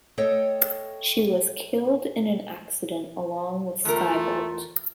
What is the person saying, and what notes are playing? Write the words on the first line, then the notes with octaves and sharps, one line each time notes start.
She was killed in an accident along with Skybolt.
A3 A4 C#5 D#5 G5
E2 A3 F4 A#4